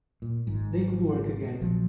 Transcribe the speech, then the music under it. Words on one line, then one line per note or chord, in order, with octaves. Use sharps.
They could work again.
A#2
G#1 G#2
B2
A#1 A#2 F3 F#3